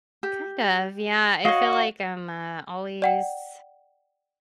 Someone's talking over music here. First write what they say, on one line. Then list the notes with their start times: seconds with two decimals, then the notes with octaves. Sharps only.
Kind of, yeah. I feel like I'm, uh, always,
0.23 G4
1.45 F#4 C#5 D#5 F5
3.02 D5 F#5 G5